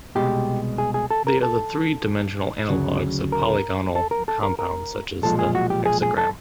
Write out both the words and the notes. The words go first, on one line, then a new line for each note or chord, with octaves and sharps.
They are the three-dimensional analogs of polygonal compounds such as the hexagram.
C2 B2 G#3 G4
G#4
G#4
A4
A#4
A4
D2 C#3 F#3
A#4
A4
A#4
A4
A#4
A#4
B1 A#2 F3 G#3 A4
G#4
F#4
G4
G#4
G#4
A4